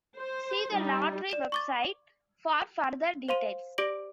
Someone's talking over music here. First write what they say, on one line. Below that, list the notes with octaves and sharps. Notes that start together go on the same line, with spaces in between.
See the lottery website for further details.
C5
G3 D#4
D5 E7
C#6 D6 A6
C5 F5 C6 D#7
G4 D5 D6 A#6 D7 F#7